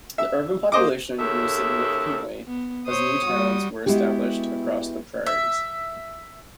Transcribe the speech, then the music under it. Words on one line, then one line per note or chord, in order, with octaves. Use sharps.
The urban population grew significantly as new towns were established across the Prairies.
E5
A#3 C5 D#5 D6
D#2 C#3 A4 E5
B3
B2 C5 C#5 D#6
G3 F#4
G#3 B3 E4 F#4 G4
E5